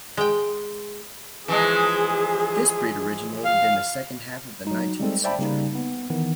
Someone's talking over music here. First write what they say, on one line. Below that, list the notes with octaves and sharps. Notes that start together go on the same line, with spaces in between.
This breed originated in the second half of the nineteenth century.
G#3 G5
E3 F3 G#3 G#4
F5
F#3 D#4
G3 G#3 C4 A4
C5 D5 E5 G5 A5 B5
C#3 G3 A#3 D#4
B3
D#3 E3 B3